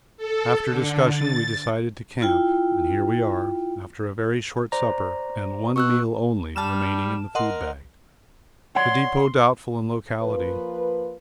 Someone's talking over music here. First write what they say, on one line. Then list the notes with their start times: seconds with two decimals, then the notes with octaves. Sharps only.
After discussion we decided to camp, and here we are, after a very short supper and one meal only remaining in the food bag; the depot doubtful in locality.
0.17 A4
0.65 D3
1.12 A6
2.21 E4 F4 G5
4.72 C5 D5 A#5
5.76 B2 C#6 E6 F#6
6.56 G3 A5 F6 E7
7.35 A#4 D#5 F#5 C6
8.75 C#5 D5 F#5 C6
10.22 F3 A#3 F4 B4